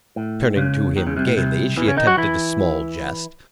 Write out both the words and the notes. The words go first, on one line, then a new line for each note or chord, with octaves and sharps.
Turning to him gaily, she attempted a small jest.
A2
C#2 C#3
D#2 D#3
C#2 C#3
C2 C3
A2
C2 C3
E2 E3
C#3 C#4
D#3 D#4
F#3 F#4
E3 E4